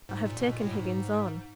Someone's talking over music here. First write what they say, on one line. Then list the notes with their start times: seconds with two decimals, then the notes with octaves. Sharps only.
I have taken Higgins on.'
0.09 G#2
0.25 A#2
0.40 B2
0.52 A#2
0.61 A2
0.72 G#2